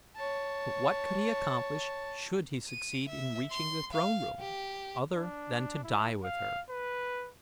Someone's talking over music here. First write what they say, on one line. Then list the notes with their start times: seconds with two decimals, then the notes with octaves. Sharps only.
But what could he accomplish should he succeed in reaching the throne room, other than to die with her?
0.16 C#5 A5
2.68 D#7
3.08 E5
3.51 C6
3.92 F5
4.40 G4
5.13 D4
5.83 E4
6.24 F5
6.70 B4